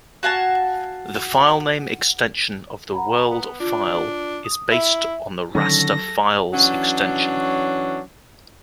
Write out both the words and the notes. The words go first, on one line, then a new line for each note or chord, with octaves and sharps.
The filename extension of the world file is based on the raster file's extension.
F#4 F5 G#5 A5
F#5 A#5 B5
B3
D4 F4
D#6
E4 E5
D3 D#3 F#3 C#4 A4 A#6
E3 F#3 C#4 D4